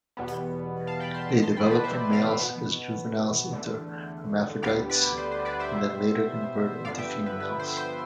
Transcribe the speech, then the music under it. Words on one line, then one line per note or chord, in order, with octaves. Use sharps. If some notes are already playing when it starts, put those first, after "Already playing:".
They develop from males as juveniles into hermaphrodites and then later convert into females.
E2 B2 G3 B3
F5 A5
G5 B5
A5 C6
E2 B2 B3 G5 B5
A5 C6
G5 B5
B4 D5
C5 E5
D5 F5
B2 B3
E2 D3 A3
D2 D3 G3 B3 D5 F5
B4 D5
C5
C5
B4 D5
C5 E5
B2 G3 B3
G2 D3 F3 B3 D5 F5
E5 G5
B4
B4
C5
C5